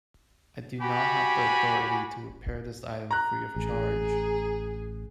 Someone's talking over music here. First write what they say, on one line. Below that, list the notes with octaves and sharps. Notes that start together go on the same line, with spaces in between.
I do not have the authority to repair this item free of charge.
F#4 G4 G#5 B5
A#5 F#6
A1 G#4